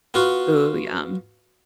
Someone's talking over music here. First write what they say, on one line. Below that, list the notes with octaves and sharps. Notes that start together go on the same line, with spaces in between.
Ooh, yum.
B3 F4 F#4